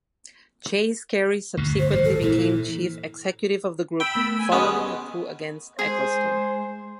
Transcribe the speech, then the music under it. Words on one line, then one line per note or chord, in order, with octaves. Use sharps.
Chase Carey subsequently became chief executive of the Group, following a coup against Ecclestone.
D2 G2 A#2
C5
G#1 A#2
A4
A#2 E3 E4
G5 B5 E6
A3 B3 A#4
G#5
D#2 B2 G#3 B3 C#4 B4 G5 G#5
G#3 G#4 C5